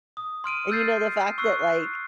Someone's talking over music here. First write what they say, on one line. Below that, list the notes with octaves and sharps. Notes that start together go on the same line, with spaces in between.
And you know the fact that, like,
D#6
C6 F6 D7 D#7
E6 F6 G6 A6 C7
C#6 E6 F#6 C7